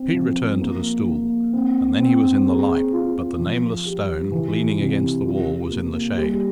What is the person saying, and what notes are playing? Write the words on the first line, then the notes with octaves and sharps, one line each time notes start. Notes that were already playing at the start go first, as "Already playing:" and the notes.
Pete returned to the stool, and then he was in the light, but the nameless stone, leaning against the wall, was in the shade.
Already playing: C4
F3
A#3
A#3
C4
C4
G#4
F4
F3
G4
E3
C3
F4
A#3
G3